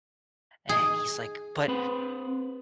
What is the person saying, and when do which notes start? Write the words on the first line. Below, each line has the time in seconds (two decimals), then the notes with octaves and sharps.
And he's like, "But
0.69 G#4
1.68 C4 B4